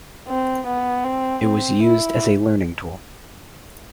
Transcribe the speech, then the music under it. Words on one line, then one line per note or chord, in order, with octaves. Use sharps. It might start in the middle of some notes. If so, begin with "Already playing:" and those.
It was used as a learning tool.
C4
B3
C4
C4
E4